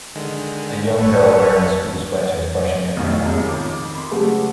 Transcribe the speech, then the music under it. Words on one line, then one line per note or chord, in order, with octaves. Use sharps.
A young girl wearing a school sweeter is brushing her hair.
D3 D#3 G#3
G1 A4 B4 C#5
B1 A2 D#3
E1 C2 F#2 G#3
F2 D#3 D6
B5 C6
C#3 F#3 G#3 A3 G4 B4